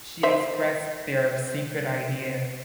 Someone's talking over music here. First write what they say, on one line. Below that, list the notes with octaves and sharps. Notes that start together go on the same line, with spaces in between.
She expressed their secret idea.
D#4 C5 E5